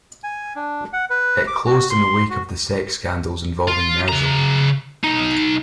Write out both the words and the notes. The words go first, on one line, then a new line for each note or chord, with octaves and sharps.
It closed in the wake of the sex scandals involving Merzel.
G#5
D4
F#5
B4
D6
F#4
C6
F#4
F4
C#3 A#5
B1 D#4